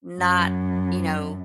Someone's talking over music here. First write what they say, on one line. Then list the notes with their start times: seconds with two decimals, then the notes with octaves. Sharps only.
not, you know,
0.19 F#2